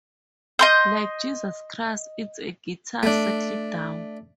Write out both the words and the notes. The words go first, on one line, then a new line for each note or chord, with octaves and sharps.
Like 'Jesus Christ it's a guitar, settle down.
D#5 C6 G6
A3 D4